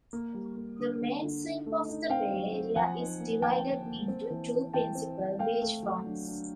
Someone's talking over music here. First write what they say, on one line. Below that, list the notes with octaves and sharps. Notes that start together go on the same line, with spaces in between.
The main sweep of the bay area is divided into two principal beachfronts.
A#3
G3
A#3
D3
D3
D3
D#4
A3
D#4
C4 F5 G5
F#3
C4
F3 F#5 G#5
D#4
A#3
F3 G5 A5
A#3
A#3
C4
E3
C4
E3 G5 A5
C4
C4
A3 F5 G5
A3
F#3
D4
D4